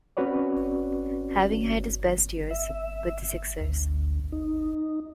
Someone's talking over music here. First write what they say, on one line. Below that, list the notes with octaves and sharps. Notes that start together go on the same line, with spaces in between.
Having had his best years with the Sixers.
C4 C#4 F#4 B4 C#5 D5
E5
D2
D#4